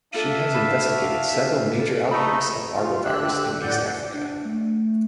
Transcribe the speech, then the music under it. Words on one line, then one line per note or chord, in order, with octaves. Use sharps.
She has investigated several major outbreaks of arbovirus in East Africa.
D4 F4 A4 E5 F5
E4 A4 B4
F#4
G4 A4
A4
A3 D#4 B5
F4
D3 G4 E6 F#6
A2 D5 F#5 G6
D4
A3